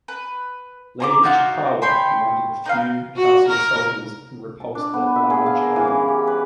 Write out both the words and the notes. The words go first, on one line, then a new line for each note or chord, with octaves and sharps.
Lady Ichikawa commanded the few castle soldiers and repulsed the large army.
B4
A#5 C6 D6
D#4 F4 F#4 F5
C#5 G5 B5 C6
D#4 B4 F5
F#4
A#4
A5
D4
B3
E5
G#4
F5
A#4
E3
C#3
G4
B4